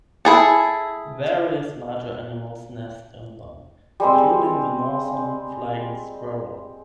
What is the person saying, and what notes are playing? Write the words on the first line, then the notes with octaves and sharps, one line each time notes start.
Various larger animals nest in them, including the northern flying squirrel.
E4 G#4 A4
G3 G#3 C4